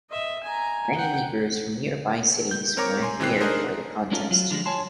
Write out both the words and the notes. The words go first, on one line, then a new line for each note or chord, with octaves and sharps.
Many negroes from nearby cities were here for the contest.
D#5 E5
G#5 A#5
F#5 G5
G6
C4 A#4 C#5 A#5 D6
G#5 C6
G#1 E3 C4 G5 F#6 C7
D4 D#4 G#4 A#4 C5
G#3 A3 C#4 D#4 F4 A4
F#3 F4
D3 F3 G3 G#3
C#5 G#5 A5 C6